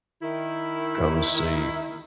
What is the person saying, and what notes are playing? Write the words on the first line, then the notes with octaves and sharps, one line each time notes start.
come see
D#3 E4